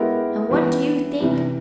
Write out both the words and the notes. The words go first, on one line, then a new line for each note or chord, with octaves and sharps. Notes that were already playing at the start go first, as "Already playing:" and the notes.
And what do you think!
Already playing: G#3 B3 E4 G4 A#4
E3 G3 B3
C3 E3 G3